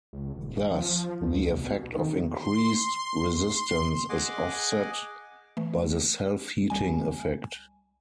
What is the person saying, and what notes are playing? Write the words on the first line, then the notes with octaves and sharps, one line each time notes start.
Thus, the effect of increased resistance is offset by the self-heating effect.
C#2
D#1
F3
D2
C2
B2
D#3
C6
C6
G#4 D#5 F#5 G#5 D6
E3 A3
C2 G3 G#5